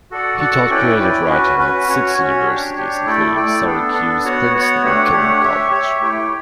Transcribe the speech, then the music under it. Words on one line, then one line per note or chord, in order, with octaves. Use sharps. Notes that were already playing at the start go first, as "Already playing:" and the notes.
He taught creative writing at six universities, including Syracuse, Princeton, and Kenyon College.
F#4 A4 D5 F#5
F#4 A4 D5 F#5
C#4 E4 B4 D5 G5
C#4 E4 B4 D5 G5
C#4 F#4 B4
C#4 F#4 B4
C#4 F#4 C#5
C#4 F#4 C#5
D4 G4 C#5
D4 G4 C#5
A3 E4 A4 D5 G5
A3 E4 A4 D5 G5
B3 D4 A4
B3 D4 A4
B3 F#4 C#5 F#5
B3 F#4 C#5 F#5
A3 D4 G4 C#5 F#5
A3 D4 G4 C#5 F#5
G4 C#5 E5
G4 C#5 E5
A3 E4 G4 C#5 G5